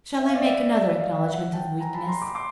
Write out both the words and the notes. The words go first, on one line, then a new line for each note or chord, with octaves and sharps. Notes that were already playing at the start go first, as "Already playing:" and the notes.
Shall I make another acknowledgment of weakness?
E5
F5
D5 E5
D#5
D5 E5
D5 E5
D#5 F5
E5 F#5
G5 A5
G#5 A#5
A5 B5
A#5 C6
C6 D6
C6 D6